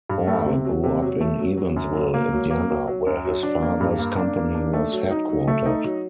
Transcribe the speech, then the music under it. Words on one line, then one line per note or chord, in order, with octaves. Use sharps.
Orr grew up in Evansville, Indiana where his father's company was headquartered.
G2
A3
C3
F#3
C3
F#3
A3
F#3
F#3
F#2
F#3
A#3
F#3
A#3
F#3
F#3
F#2
F#3
D4
A#3
G2
A#3
D4
A#3
D4
A3
F#3
D#4
F#3
A3
D#4
F#3